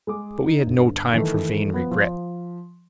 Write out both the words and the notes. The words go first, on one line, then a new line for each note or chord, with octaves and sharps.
But we had no time for vain regrets.
G#3 G#4 D6
D#4
G1
D#3 E3 A3
F3 B3
F3